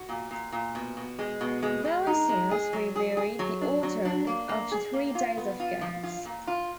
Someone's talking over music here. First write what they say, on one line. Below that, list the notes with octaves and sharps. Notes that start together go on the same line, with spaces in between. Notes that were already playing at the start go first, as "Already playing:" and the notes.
Valesius reburied the altar after three days of games.
Already playing: F#4
A#2
A#2
A#2
B2
B2
G#3
B2
G#3
G#3
D#4
G#3
G#4
F#3
G#4
G#4
F#3
D4
F#3
D4
A#3
A#3
G#4
A#3
F4
B3
F4
F3
F4
A#2
F4